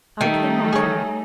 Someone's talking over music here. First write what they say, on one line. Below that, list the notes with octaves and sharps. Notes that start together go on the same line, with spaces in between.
I came often.
D#3 G3 A3 D#4
G#4 C#5